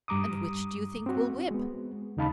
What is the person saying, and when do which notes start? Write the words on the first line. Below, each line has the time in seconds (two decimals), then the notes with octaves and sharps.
"And which do you think will whip?"
0.08 G2 G3 A#5 D6 D#6
1.06 C4 F#4
1.51 G#3 B3
2.17 D#2 C#3 D#4 F5 A5 B5